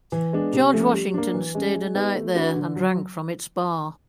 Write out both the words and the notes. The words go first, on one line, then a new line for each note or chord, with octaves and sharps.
George Washington stayed a night there and drank from its bar.
E3
G#3 B3 D4
C3
F3 A3 C#4
G3
A#3 D4
E3
G#3 C#4
G#3
B3 D#4 G4
A3
D4 F#4 B4
D3
F#3